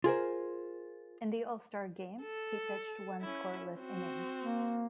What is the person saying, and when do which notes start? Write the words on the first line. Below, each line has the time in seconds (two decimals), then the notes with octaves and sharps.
In the All-Star game, he pitched one scoreless inning.
0.04 F4 G#4 A#4 C5
2.22 A4
3.22 C#4 E4
3.77 C4 F#4
4.42 A#3